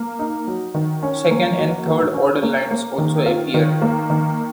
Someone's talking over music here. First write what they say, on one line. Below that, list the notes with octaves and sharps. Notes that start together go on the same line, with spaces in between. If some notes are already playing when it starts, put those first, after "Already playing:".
Second and third order lines also appear.
Already playing: A#3
D#4
F#3
D#3
C#4
A#3
F#4
A#4
C#4
A#3
A#3
D#3
F4
D#3
A#3
D#3